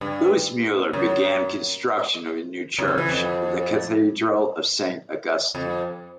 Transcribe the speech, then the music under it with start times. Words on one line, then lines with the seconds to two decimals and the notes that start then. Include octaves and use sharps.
Louis Mueller began construction on a new church, the Cathedral of Saint Augustine.
0.01 G2
0.93 F#2
2.78 F#2
2.88 F2
2.98 E3
3.09 F2
5.55 F2